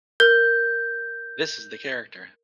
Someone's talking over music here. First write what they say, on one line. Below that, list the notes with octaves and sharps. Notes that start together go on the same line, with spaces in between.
This is the character!
A#4 G6